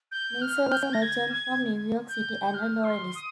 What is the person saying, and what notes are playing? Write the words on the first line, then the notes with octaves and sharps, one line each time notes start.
Mesier was a merchant from New York City and a Loyalist.
G6
F6
G6
A#6
G#6
G#6
G6
G6
F6
C6
D#6